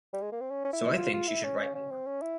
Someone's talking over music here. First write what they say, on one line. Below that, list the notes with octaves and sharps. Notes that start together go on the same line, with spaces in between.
So I think she should write more.
G3
G#3
A#3
C4
C#4
C#4
E4
F4
F4
E4
C#4
C#4
C#4
C4
C#4
E4